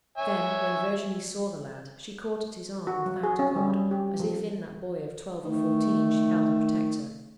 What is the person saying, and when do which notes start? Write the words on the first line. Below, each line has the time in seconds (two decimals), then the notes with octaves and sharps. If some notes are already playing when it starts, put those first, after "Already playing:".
Then, when Virginie saw the lad, she caught at his arm, and thanked God, as if in that boy of twelve or fourteen she held a protector.
0.18 C#5 E5 G#5
2.87 F#4
3.06 F#3
3.23 G#4
3.39 C#4
3.56 G3
3.69 G3
3.91 G4
4.20 F3
5.45 D#3 A3